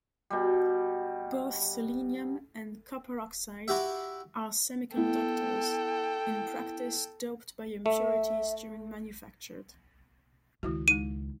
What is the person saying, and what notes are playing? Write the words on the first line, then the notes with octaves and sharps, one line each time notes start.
Both selenium and copper oxide are semiconductors, in practice doped by impurities during manufacture.
B2 G3
E4 F#4 G4 E5
B3 E4 A4 G5
A3 E5
C#2 D#3 E4 F#4
G#3 D#4 D#7